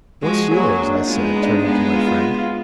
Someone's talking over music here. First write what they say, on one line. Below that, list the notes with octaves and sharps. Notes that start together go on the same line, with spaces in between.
"What's yours?" I said, turning to my friend.
F3 G#3 F#4
F#3 A#3 G#4
D4
D#4
G#3 B3 F4
D4
D#4
D4
G#3 B3 D#4
F4
F4
F4